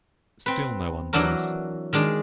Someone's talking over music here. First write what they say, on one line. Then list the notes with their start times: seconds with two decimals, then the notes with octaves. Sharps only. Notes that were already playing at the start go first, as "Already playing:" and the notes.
Still no undos.
0.46 C4 B4
1.13 E3 F#3 D4 F#4 A#4
1.93 D#3 G#3 D4